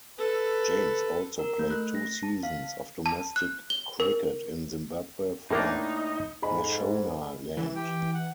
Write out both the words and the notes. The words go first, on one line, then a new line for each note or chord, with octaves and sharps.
James also played two seasons of domestic cricket in Zimbabwe for Mashonaland.
A4 B4
A#4
A3
F#6
A#6
A5
F5
A5
F#6
G7
A#4
A2 A#3 D4 D#4 G#4 A#4
F2 G#2 G#4 D#5 B5
E3
G4 G5
F#5